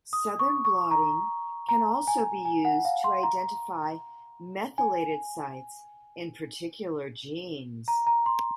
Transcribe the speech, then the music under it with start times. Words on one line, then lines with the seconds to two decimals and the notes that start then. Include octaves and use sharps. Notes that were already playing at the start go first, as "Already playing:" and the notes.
Southern blotting can also be used to identify methylated sites in particular genes.
0.13 D#6
0.39 C#6
0.65 C#6
0.91 A#5
1.69 A#5
2.08 G#5
2.45 G#5
2.65 F#5
2.85 F5
3.04 C6
3.23 A#5
4.78 G#5
7.88 A#5
8.07 A#5
8.26 C6